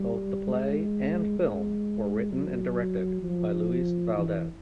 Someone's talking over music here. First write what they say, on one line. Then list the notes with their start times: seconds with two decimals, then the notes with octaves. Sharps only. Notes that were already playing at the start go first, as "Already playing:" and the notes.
Both the play and film were written and directed by Luis Valdez.
Already playing: G3
0.47 G#3
1.39 G#3
2.31 F#3
3.23 F3
4.14 E3